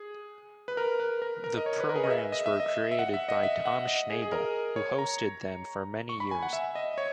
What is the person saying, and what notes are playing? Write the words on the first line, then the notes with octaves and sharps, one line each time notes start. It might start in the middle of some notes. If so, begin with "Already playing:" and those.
The programs were created by Tom Schnabel, who hosted them for many years.
Already playing: G#4
B4
A#4
B4
A#4
A#4
D#5
C#5
B4
A#4
G#4
D#5
E5
D#5
E5
D#5
E5
F#5
E5
D#5
E5
F#5
D#5
G#4
G#4
A#4
C#5
A#5
C#6
B5
G#5
F#5
E5
D#5
C#5